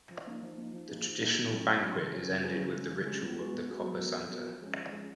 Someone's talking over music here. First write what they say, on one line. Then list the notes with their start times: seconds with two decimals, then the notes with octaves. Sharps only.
The traditional banquet is ended with the ritual of the "Copa Santa".
0.10 F3
0.27 A#3 D#4
0.42 F3
0.58 A#3 D#4
0.73 F3
0.88 A#3 D#4 G#4
1.04 F3
1.20 A#3 D#4 G#4
1.35 B2
1.51 F#3 C#4
1.66 B2
1.82 F#3 C#4
1.97 C#3
2.13 F#3 C#4 G#4 B4
2.29 C#3
2.43 F#3 C#4 G#4 B4
2.59 C#3
2.75 G#3 C#4
2.90 C#3
3.06 G#3 C#4
3.21 B2
3.37 G#3 B3 F#4
3.53 B2
3.68 G#3 B3 F#4
3.83 F#3
3.99 B3 F#4 A#4
4.15 F#3
4.30 B3 F#4 A#4
4.46 F3
4.61 G#3 C#4
4.77 F3
4.92 G#3 C#4